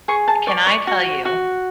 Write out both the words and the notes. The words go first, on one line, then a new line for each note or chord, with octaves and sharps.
can I tell you?
G#4 C#6
A5
D5 C#6
C#6
F#4
F#4